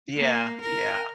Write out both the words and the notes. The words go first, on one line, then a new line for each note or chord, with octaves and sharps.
Yeah, yeah.
A#3
A#4